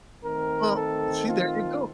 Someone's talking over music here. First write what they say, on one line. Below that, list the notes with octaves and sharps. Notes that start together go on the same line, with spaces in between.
Well, uh, see, there you go.
D#3 A3 C4 A#4
A4
F4